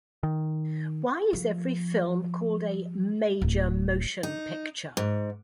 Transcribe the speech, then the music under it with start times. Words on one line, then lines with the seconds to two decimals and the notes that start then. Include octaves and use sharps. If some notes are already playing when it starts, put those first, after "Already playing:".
Why is every film called a "major motion picture?"
0.23 D#3
1.33 F3
3.42 D1
4.23 D#4
4.97 G#2